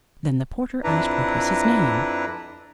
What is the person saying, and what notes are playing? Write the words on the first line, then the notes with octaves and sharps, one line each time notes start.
Then the porter asked what was his name.
F2 D4 E4 B4 A#5